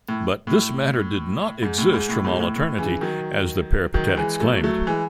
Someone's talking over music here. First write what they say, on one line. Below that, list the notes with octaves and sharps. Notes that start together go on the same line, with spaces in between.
But this matter did not exist from all eternity, as the Peripatetics claimed.
A2
A2
G#2
A2
G#2
A2
G#2 B2
A2
A2
C#3 E3
D#3 F#3
D#3 F#3
E3 G#3
F#3 A3
F#3 A3
E3 G#3